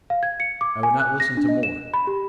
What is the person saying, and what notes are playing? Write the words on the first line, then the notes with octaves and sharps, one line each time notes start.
I would not listen to more.
F5
G#6
C#7
D6
G#5
F#6
A#6
D4
D#5
E7
B5
G4